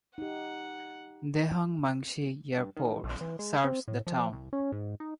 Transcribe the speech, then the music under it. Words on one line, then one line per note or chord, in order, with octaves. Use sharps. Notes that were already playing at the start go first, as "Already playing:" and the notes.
Dehong Mangshi Airport serves the town.
D#4 G4 F#5
G2
D#3
A#1
E3
G#3
C4
A2
F3
C2
C#4
G#2
D#4